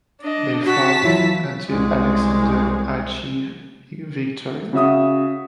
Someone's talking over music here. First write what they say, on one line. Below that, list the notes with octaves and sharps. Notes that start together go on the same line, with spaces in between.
They fought until Alexander achieved victory.
D4 D#5
F#4 A5 B6
E3 F#3 E4 F4
C2 G#3
C#3 F#4 E5 D#6